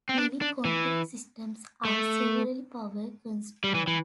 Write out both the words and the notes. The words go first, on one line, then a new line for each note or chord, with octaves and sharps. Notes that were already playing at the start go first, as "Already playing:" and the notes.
Many Contiki systems are severely power-constrained.
C4
D4
D4
E3
A3
G3
E3
E3